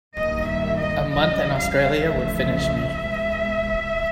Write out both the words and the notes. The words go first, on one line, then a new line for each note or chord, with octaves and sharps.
A month in Australia would finish me.
G2 D#3 F#3 A#3 D#5
E5
D#5
E2 C#3 E3 G3 D#5
F5
E2 C#3 F3 A3 E5
B2 G#3